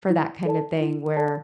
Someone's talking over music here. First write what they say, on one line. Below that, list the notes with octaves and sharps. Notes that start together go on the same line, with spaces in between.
for that kinda thing, where
E4
A4 D5 A5
E4
A4 D5 A5